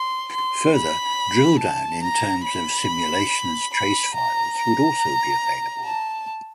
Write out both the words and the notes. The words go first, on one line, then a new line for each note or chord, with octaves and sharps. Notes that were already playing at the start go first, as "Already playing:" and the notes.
Further, drill down in terms of simulations trace files would also be available.
Already playing: C6
C6
B5
A5
A#5
B5
B5
A#5
A#5
A5